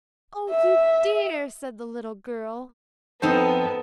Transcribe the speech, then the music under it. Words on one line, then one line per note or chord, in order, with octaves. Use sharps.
"Oh, you dear!" said the little girl.
E5
F2 B3 D#4 A4 C5 A5